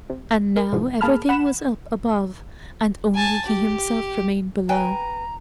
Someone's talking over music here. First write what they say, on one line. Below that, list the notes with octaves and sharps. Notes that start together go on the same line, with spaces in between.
And now everything was up above and only he himself remained below.
C3
A#4
G#2 B2 D3 E3 F3 G#3
G1 A#3 G#4 A5 B5 F6
F#5 B5 E7
G#5 A5
G4
B4 G5 G#5 A#5